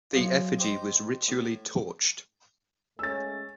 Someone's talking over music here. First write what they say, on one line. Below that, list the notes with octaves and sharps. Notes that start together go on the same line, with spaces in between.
The effigy was ritually torched.
F#2 C#3 F3
G4 C5 D#5
A2
G#3 A3 C#4 E6 A6